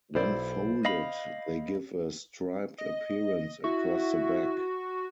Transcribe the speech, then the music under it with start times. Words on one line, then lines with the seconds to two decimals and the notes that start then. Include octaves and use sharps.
When folded, they give a striped appearance across the back.
0.15 B1 E4 C5 D5
0.85 D#5 F5 B5
2.78 D#5
3.64 E4 F#4